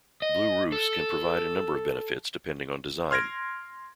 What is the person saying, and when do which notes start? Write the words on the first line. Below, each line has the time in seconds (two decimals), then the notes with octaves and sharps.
Blue roofs can provide a number of benefits depending on design.
0.22 D#5
0.72 A4
3.11 C6 F6 G#6 A#6 D7